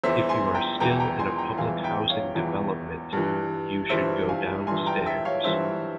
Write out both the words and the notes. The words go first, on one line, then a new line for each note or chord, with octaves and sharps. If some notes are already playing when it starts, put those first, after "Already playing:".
If you are still in a public housing development, you should go downstairs.
E2 E3 C5 E5
G#5 C6
G5 A#5
E2 E3 G5 A#5
G5 A#5
G#5 C6
G5 A#5
E2 E3 F5 G#5
E5 G5
C#5 F5
E2 E3
G2 E3
G2 E3 C5 E5
F5 G#5
G2 E3 G#5 C6
G5 A#5
E5 G5
C#5 F5
G2 E3 C5 E5